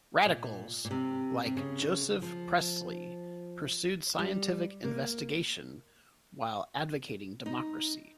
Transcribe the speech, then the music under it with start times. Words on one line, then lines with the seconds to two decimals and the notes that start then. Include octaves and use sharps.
Radicals like Joseph Priestley pursued scientific investigation while advocating democracy.
0.26 A#2
0.85 A#2
0.91 C3
1.46 C3
1.57 C#3
2.22 F3
4.19 G3
4.84 A#3
7.46 D#4